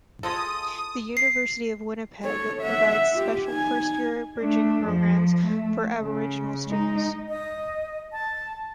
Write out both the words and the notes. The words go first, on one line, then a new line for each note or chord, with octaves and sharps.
The University of Winnipeg provides special first-year bridging programs for Aboriginal students.
G#3 F4 A4 D#6
C7
A4 C#5
E5 F#5
F4 G4
D#4 G#5
A3 D4
F2 F3
A3
C#3
G#3 D#4
D#5
A5